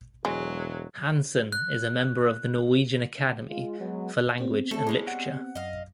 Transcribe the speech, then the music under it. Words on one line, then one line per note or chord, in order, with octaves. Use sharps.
Hansen is a member of the Norwegian Academy for Language and Literature.
E1 F#3 G#3
F#6
G#3 F4
F#3 B3
B3 C4 G4
F#3 A3 A4
G3 G#3 C#4 E4 G#4
F#5
F#2 D#5 F5